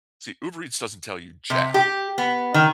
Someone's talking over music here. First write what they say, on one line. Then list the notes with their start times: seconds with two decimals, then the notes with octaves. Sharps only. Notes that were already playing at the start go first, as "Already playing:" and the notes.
See, Uber Eats doesn't tell you jack.
1.50 C3
1.74 G4
2.18 B3
2.54 D#3